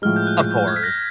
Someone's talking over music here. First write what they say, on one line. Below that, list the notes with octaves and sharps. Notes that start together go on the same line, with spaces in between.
Of course.
A2 F3 G#3 F6
G6
F#6
G6
G#6
B6
A#6